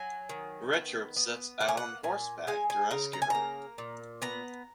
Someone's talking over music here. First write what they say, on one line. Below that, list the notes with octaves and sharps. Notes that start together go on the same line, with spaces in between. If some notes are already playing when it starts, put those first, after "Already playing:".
Richard sets out on horseback to rescue her.
Already playing: F#3 G#5
D#3
B3
B3
A#3 F#5
G#5
F#5
A#2 G#5
G#3 G#5
G#5
C#3 A#5
A#5
G#5
A#3 A#5
A#2
B3 A#5